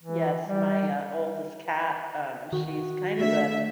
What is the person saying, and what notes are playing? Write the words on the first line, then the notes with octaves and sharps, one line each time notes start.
Yes, my, uh, oldest cat, um, she's kind of a
E3
G3
D#3 F#4
A3 D4 E5